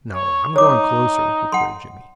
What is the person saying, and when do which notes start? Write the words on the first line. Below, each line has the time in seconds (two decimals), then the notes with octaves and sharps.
"No, I'm going closer," declared Jimmie.
0.12 C#5
0.56 D#4 C#5 D6
1.52 F#5 C6